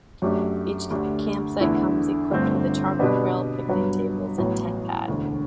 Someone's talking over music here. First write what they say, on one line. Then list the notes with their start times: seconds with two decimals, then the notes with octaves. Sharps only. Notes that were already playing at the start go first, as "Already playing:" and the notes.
Each campsite comes equipped with a charcoal grill, picnic table and tent pad.
0.22 F#2 F#3 A3 D4 G4
0.90 D2 D3 A3 D4 G4
1.60 E2 D3 A3 E4
2.30 G1 G2 D3 A3 C4
2.99 B2 G3 B3 D4
3.68 G2 F#3 B3
4.38 A1 A2 F#3 B3
5.08 E1 D2 D3